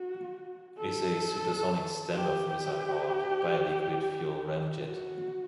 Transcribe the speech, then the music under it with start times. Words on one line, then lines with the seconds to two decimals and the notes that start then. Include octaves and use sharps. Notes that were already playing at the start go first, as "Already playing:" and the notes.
It is a supersonic standoff missile powered by a liquid fuel ramjet.
Already playing: F#4
0.78 A4
2.14 G4
4.86 F#4